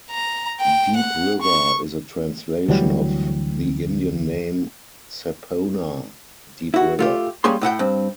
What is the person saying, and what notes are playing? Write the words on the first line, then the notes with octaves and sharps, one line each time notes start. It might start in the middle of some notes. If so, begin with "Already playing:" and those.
Deep River is a translation of the Indian name "sapponah", "deep river".
A#5
G5
F#5
C#6
D2 E3 F#3 G3
E4 F#4
A3 F4 G4
G3 A#3 C#4 G#4 C6
A2 E4 F#5 G5
G2 C4